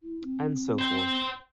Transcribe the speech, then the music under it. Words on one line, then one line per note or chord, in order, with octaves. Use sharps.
And so forth.
E4
C4
C5 G5